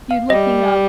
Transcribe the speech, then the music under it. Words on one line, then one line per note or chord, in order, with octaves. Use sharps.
you're looking up
F5
G3 D#5